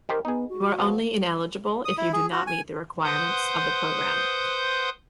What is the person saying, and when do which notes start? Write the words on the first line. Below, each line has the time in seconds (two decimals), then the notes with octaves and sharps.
You are only ineligible if you do not meet the requirements of the program.
0.09 D#3 G4 A#4 C5
0.25 B3 D#4 G#4
0.49 F#4
0.79 F3 B3
1.85 D#6
1.98 E4
2.13 G#4
2.32 F#4
2.47 G#5
3.04 B4 C5 F#5 C6 D#6 G6